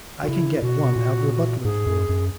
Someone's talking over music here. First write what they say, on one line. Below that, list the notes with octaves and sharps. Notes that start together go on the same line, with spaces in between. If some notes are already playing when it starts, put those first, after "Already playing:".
I can get one out of the butler's room.
D#3 F#4
C#3 E4
B2 F#4
A#2
G#2 G#4
F#2
F#2